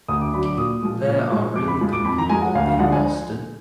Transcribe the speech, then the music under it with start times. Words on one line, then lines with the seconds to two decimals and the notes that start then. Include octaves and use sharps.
There are really good people in Boston.
0.09 D2 D#6
0.21 D6
0.33 D3 F#3 B5
0.45 D6
0.57 A#2 D#6
0.83 F3 G#3
1.07 A#2
1.31 F3 G#3
1.56 F2 D6
1.68 B5
1.81 F3 G#3
1.93 D6
2.05 F2 B5
2.18 A#5
2.29 F3 G#3 G#5
2.42 F#5
2.55 D2 F5
2.67 F5
2.79 D3 F3 G#3 F#5
2.92 G#5